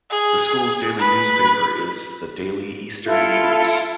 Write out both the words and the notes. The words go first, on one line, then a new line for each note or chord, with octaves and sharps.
The school's daily newspaper is The Daily Eastern News.
G#4
B4
E4 F4 A4